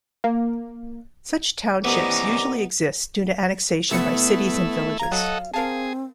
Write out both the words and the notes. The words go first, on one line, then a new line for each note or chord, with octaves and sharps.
Such townships usually exist due to annexation by cities and villages.
A#3
C2 E3 B3 C#4 D#4 A#5 D6
C3 A3 B3 E4 E6 C#7
F5 A#5 G#6
F#3 A4 D#5 F#5
C4 G#4 A#4 F5 A5